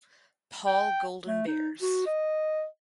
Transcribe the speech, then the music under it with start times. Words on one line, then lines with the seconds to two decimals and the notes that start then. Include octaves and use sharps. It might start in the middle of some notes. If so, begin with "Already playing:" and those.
Paul Golden Bears.
0.67 G5
1.28 A3
1.48 D#4
1.82 F#4
2.07 D#5